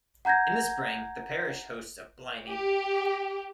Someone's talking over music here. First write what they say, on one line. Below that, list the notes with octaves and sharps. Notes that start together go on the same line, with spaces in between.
In the spring, the parish hosts a Blini.
F#5 A#5 G6 G#6 A#6
G4